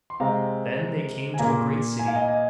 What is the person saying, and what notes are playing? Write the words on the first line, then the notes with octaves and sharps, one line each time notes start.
Then they came to a great city.
C6
C3 G#3 C4 F5 A#5
G#5
A#2 A#3 F5 A#5
G#5
F5
D#5 G#5
D#5 G#5